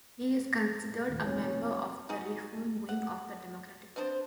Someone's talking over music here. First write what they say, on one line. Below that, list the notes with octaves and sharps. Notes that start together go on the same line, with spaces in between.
He is considered a member of the reform wing of the Democratic Party.
A2 A3
F1 B2 C#5 G#5
D#4 F#4 G#4
F#5
B3 C4 D4 C5